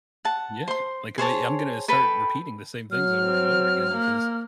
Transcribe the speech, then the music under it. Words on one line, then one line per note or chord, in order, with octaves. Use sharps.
Yeah. Like, uh, I'm gonna start repeating the same things over and over again because
F#5 A5
C5 C6
G#4 C5 C#5 A5
A4 B4 G5 B5
F#3 F6
C4
A#3